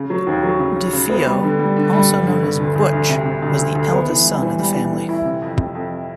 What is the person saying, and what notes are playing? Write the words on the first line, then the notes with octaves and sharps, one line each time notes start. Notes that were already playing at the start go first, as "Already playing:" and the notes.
DeFeo, also known as "Butch", was the eldest son of the family.
Already playing: C#3
F#3
D#2
F#3
C#3
C#3
C#3
B3
G3
D3
G3
D3
G3
G2
D3
G2
D2
D2
D2
C3
C3
D2
D2
D2
B3
E3
G3
E3
G3
E3
E3
E4
C3
F2
C3
F2